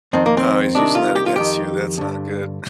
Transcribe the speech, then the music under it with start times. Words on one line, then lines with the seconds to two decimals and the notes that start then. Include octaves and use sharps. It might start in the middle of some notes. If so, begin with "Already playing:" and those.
Oh, he's using that against you. That's not good.
0.13 F2 D#3 C4
0.26 A#3
0.37 C4
0.75 C2 C3 D#3 D4
0.95 F4
1.15 G4
1.26 F4
1.36 F2 D#3 G4
1.98 G2 D3